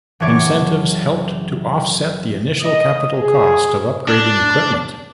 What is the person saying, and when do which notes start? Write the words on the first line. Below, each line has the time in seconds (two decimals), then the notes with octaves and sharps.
Incentives helped to offset the initial capital cost of upgrading equipment.
0.20 F#1 E3 C#5 D5
2.63 D#5
3.19 G#4
4.08 D4